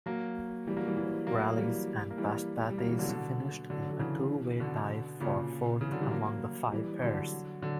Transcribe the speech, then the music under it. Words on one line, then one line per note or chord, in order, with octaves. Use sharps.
Rallis and Paspatis finished in a two-way tie for fourth among the five pairs.
F#3 A#3
E3 G3
F#3 A#3
E3 G3
E3 G3
F#3 A#3
E3 G3
A#3
E3 G3
G3
F#3 A#3
E3 G3
D3 F#3
B2 D3
D3 F#3
D3 F#3
C#3 E3
B2 D3
A#2 C#3
C#3 E3
D3 F#3
E3 G3
F#3 A#3
E3 G3
D3 F#3
D3 F#3